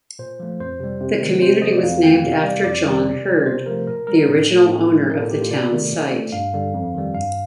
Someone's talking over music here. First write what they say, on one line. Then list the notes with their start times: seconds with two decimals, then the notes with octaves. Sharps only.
The community was named after John Hurd, the original owner of the town site.
0.19 A#2 C5
0.40 F3 A3
0.60 F2 C5
0.80 C3 G3
1.01 C3
1.21 D#3 A3
1.42 C3 C5
1.62 F3 A3 D#5
1.73 D5
1.82 F2 F5
2.03 D#3 A3 G5
2.23 C3 F5
2.43 G3 D5
2.64 F2 D5
2.85 D#3 G3
3.05 C3
3.26 G3
3.46 C3 C5
3.66 F3 A3 A#4
3.87 A#2 A#4
4.07 G3 A#4
4.28 A2 A4
4.48 F3 A3
4.69 A2
4.89 F3 A3
5.10 A2 A#4
5.20 A4
5.31 A3 G4
5.41 F4
5.50 C3 D5
5.71 D#3 A3
5.92 A#2
6.12 A3
6.32 G2 F5
6.54 D3 G3
6.74 F2
6.94 D#3 G3
7.14 G2 F5